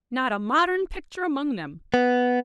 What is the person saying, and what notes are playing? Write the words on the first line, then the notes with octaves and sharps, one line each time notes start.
Not a modern picture among them.
B3